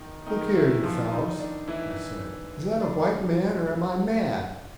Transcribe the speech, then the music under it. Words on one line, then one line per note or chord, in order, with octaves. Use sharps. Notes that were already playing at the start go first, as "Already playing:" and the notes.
"Look here, you fellows," I said, "is that a white man, or am I mad?"
Already playing: D#3 D#4
D#3 D#4
E3 E4
F3 F4
D#3 D#4
D4
E3 E4
D4